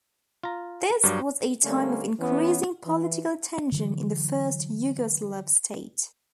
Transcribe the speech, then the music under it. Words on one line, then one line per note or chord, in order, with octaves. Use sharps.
This was a time of increasing political tension in the first Yugoslav state.
F4 A#5
G2 F#3 A#4 C#5 D5
D3 G3 A3 A#3 C4 C#4
E3 B3 C#4
E3
D3 E3 F#3